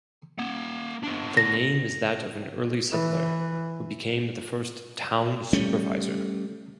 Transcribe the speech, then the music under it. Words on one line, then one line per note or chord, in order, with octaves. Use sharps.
The name is that of an early settler, who became the first Town Supervisor.
A#3 F#5
B3 D4
A#6
E3
G3 A3 C#4